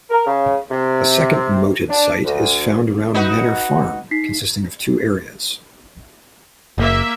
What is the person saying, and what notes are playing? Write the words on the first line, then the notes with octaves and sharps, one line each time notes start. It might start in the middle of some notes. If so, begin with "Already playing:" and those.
A second moated site is found around Manor Farm, consisting of two areas.
A#4
C#3
C3
D4
D2
D#4 F#4 B4 E5
D#4 B6 C7
F#1 A#3 E5